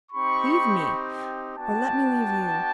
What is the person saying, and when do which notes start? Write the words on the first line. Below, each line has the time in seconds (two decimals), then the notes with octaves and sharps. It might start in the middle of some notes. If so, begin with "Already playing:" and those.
Leave me! or let me leave you.
0.12 C4 D#4 G4 B5 C#6
1.56 B3 D4 F#4 G5 A5